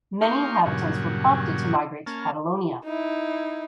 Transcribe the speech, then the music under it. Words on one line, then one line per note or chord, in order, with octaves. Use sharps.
Many inhabitants were prompted to migrate to Catalonia.
A#3 D#4 G4 F5 C6 C#6
G2 A#2 C#3 F#3
A#3 C#4 A5 F6
D#4 E4